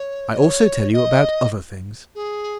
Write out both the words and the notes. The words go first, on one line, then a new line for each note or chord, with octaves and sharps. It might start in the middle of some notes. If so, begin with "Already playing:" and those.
I also tell you about other things.
Already playing: C#5
D#5
C#5
D#5
G#4